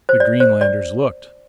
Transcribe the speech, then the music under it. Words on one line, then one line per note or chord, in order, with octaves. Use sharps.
The Greenlanders looked.
C5
D5
C5
D5